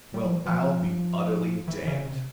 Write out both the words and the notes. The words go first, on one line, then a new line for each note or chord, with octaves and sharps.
"Well, I'll be utterly damned!"
G3
F3
E3
F3
E3
C#3
C3